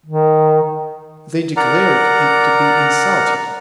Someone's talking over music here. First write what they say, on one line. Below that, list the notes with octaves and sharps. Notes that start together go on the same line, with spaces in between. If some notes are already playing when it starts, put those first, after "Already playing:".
They declared it to be insulted.
D#3
A#4 D5 F#5 A#5